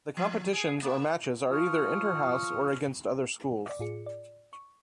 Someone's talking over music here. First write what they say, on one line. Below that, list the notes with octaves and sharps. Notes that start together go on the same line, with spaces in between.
The competitions or matches are either 'interhouse' or against other schools.
F3
G#4
A#3
F3 C#6 D#6 F6
D5 D6
A2 F4 G#4 C#7
D5
C#6